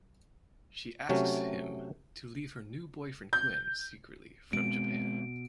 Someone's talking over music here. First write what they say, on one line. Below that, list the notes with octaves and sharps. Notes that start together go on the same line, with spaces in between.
She asks him to leave her new boyfriend Kuen secretly from Japan.
C3 F#3 A3 C#4
G6
B2 G#3 C4 D7